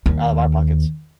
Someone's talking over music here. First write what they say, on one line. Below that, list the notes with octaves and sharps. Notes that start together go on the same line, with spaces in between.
out of our pockets.
D#2